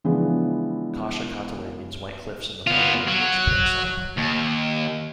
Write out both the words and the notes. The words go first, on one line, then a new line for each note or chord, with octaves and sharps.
Kasha-Katuwe means "white cliffs" in the Pueblo language Keresan.
C#3 E3 F3 G#3 B3 D4
B3 F4
F#3
D#2